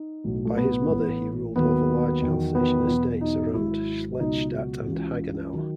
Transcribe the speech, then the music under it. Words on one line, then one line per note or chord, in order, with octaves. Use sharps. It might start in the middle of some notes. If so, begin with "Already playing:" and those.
By his mother he ruled over large Alsatian estates around Schlettstadt and Hagenau.
Already playing: D#4
B1 A2 F#3
A3
B3
A1 A2 E3
D#2 D#3 F#3 B3
E2 D#3 F#3
B3
E2 B2 F#3
D#4
G#1 G#2 F#3 E4
C#2 B2 F#3 D#4
F#4
C#2 C#3 E3
D#3 F#3